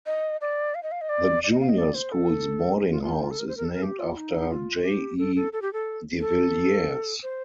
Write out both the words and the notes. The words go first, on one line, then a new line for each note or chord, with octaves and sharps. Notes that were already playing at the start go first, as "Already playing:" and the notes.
The Junior School's boarding house is named after "J E De Villiers".
D#5
D5
F5
D#5
F5
D#5
D5
D5
D#5
F5
D#5
D5
C5
A4
F4
F4
D#4
F4
A4
A#4
C5
A#4
A4
A#4
G4
F4
D#4
F4
G4
A4
A4
A4
G4
A4
A4
C5